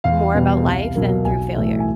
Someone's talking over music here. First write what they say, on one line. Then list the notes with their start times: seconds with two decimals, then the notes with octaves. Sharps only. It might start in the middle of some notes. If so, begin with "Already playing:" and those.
more about life than through failure.
0.04 E2 F5
0.34 B2 G3 B3
0.65 C2
0.95 B2 F#3 A#3
1.25 B1 G#5
1.56 A2 E3 A3
1.80 G#5